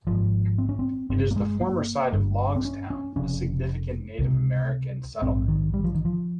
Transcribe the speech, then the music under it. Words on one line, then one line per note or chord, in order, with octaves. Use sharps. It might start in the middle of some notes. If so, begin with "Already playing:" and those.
It is the former site of Logstown, a significant Native American settlement.
G#1 G#2 F3
C4
C#4
C4
G1 G2 C4
A#3
G#3
A#3
G1 G2
C4
C#4
C#4
F1 F2 C#3 C#4
C#2 C3
A#1 G#2 C4
D#3
G3
F3
D#3
F3